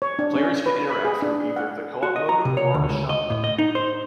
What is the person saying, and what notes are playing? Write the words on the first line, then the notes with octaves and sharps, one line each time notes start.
Players can interact through either the Co-op mode or a Shop mode.
C#5
D4
C#4
B4
B5
G#4
D4
F#5
F#4
D#5
A#5
C3
C#5
D2
C#2
D#5
A2
D#5
D#4
C5